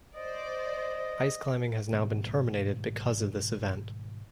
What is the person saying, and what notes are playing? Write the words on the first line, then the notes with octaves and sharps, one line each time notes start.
Ice climbing has now been terminated because of this event.
C5 D5 D#5
G#2 B2 D#3 G3